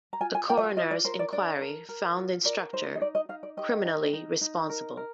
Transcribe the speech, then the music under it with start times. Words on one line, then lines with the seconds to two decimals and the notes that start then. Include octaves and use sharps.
A coroners inquiry found the instructor criminally responsible.
0.13 A#5
0.20 F4 G#5
0.35 G#5
0.49 F4 G5
0.57 D#5
0.64 F5
0.77 F4 D#5
0.91 D5
1.05 A#4 C5
1.19 D5
1.33 D4 D5
1.61 A#4
1.89 A#4
2.17 F4
2.45 A#4 D5
2.73 D#4 C5
2.95 D#5
3.01 D#4 D5
3.15 D#5
3.29 D#4 F5
3.43 D5
3.57 G4 D#5
3.85 D#4
4.13 D#4
4.41 D#4
4.69 A#4
4.97 A#4